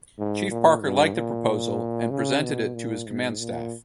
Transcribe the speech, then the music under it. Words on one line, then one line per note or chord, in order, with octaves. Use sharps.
Chief Parker liked the proposal and presented it to his command staff.
G#2
A#2
G2
A#2
C#3
B2
A#2
G#2
A#2